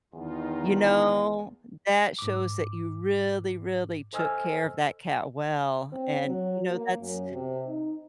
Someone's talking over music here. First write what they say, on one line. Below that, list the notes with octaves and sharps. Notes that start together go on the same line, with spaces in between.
you know, that shows that you really, really took care of that cat well, and, you know, that's
E2 D#3 D#4 F4
G#2 D6
A4 C5 D#5 G#5 E6 F6
C4
F#3
A#3
F#2
C3
D#4